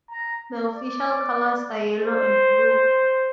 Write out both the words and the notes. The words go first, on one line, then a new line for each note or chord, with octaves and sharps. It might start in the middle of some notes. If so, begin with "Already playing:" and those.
The official colours are yellow and blue.
A#5
D5
C5